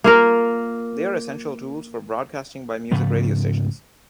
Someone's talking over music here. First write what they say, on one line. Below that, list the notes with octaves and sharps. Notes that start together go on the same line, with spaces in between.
They are essential tools for broadcasting by music radio stations.
A#3 F4 A#4
G#2 C#3 F3 A3